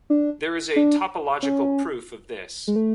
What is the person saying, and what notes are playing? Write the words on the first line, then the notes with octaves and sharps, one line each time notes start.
There is a topological proof of this.
D4
D4
C#4
G#3
A3